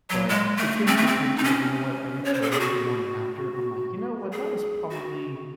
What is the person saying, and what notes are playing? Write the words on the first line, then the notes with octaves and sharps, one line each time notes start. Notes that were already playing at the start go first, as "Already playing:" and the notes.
but it's getting to the point to where, you know what, every time the morning after, I'm like, "You know what, that was probably
F#3
G#3
A3
C4
A3
C4
D#4
C#4
C#5
C5
A4
G#4
F#4
G#4
F#4